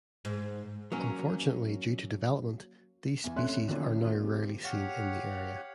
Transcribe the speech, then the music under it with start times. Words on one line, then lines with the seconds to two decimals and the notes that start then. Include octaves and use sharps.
Unfortunately due to development these species are now rarely seen in the area.
0.25 G#2
0.92 F#3 A#3 C#4
3.24 E2
3.36 C3 A3 C#4 E5 C6 F#6
3.68 D3 D#3 F3 F#3 A#3 C#4
4.02 F4
4.21 C4 G4
4.64 G4 C#5 F5 F#5